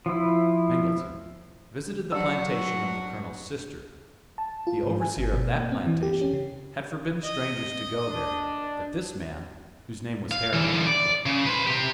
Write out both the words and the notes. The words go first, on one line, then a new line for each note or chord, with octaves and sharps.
M.R. Singleton, visited the plantation of the Col.'s sister; the overseer of that plantation had forbidden strangers to go there, but this man, whose name was Harry, would go.
F3 E4
F#3 D4 F#4 E6
A5
F4
G#2
G#5
G1
B2
A#3
C4
E3
G4
C#4
C#3
D#5
D4
F5
D3 E3
D5
C#3
B4 C5
C3 G4